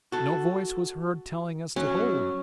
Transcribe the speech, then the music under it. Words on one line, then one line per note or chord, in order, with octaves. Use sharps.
No voice was heard telling us to hold!
F#4 A4
F#3 C#4